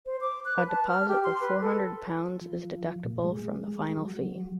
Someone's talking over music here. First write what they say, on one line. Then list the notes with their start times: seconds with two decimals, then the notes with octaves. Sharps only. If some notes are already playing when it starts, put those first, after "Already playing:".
A deposit of four hundred pounds is deductible from the final fee.
0.06 C5
0.21 D6
0.45 F#6
0.57 B4
0.68 A5
0.87 F6
1.09 G4
1.24 C6
1.41 B4
1.61 A4
2.41 F3
3.04 A#2
3.24 G#3
3.68 G#3
3.97 F#3